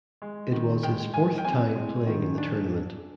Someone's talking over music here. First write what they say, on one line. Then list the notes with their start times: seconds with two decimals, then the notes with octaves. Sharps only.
It was his fourth time playing in the tournament.
0.22 G#3
0.52 D#3
0.83 G#3 G5
1.14 G#3 G#5
1.38 G5
1.45 C4 G#5
1.76 G#3
2.07 D#3
2.38 D4